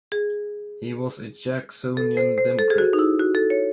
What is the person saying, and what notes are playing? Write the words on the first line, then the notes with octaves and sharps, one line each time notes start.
He was a Jacksonian Democrat.
G#4
A4
C5
C5
A4
G#4
F#4
D#4
E4
F#4
A4
C#5